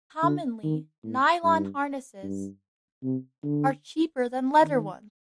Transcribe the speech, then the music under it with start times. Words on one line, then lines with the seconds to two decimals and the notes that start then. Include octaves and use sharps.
Commonly, nylon harnesses are cheaper than leather ones.
0.23 D3
0.63 D#3
1.03 A2
1.44 G2
2.23 G2
3.03 C3
3.43 D3
4.62 D#3